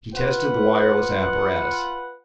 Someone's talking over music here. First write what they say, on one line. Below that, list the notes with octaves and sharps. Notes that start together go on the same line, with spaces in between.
He tested the wireless apparatus.
F4 B4 F#5